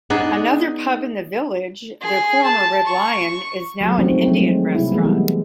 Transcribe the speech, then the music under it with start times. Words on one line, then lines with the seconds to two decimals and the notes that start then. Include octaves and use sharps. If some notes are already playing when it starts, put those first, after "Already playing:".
Another pub in the village, the former Red Lion, is now an Indian restaurant.
0.10 B3 D4 D#4 G#4
2.02 G#4
2.44 A5
2.86 C#6
3.81 F#3 G#3 A3 F#4
3.98 F3 A3 A#3 C4 C#4 D#4
4.27 F3 F#3 G#3 A3 C4
4.75 C3 G3 G#3 E4
4.92 E3 F#3 G#3 A3 B3
5.05 G3